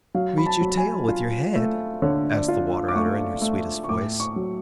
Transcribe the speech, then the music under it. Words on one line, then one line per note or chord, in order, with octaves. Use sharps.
"Reach your tail with your head?" asked the Water-Adder in her sweetest voice.
F#3 F5
B5
A5
F#3
G#5
F4
A3
D3 C#5
D5
F4
D6
A3 C#6
A3
C#6
A2 D6
C#6
F#3